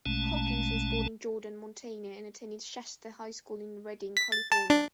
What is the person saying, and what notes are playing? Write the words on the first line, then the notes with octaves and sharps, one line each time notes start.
Hawkins was born in Jordan, Montana and attended Shasta High School in Redding, California.
A#1 B2 G#3 A3 C#4 A5
B6
A6
A5
D4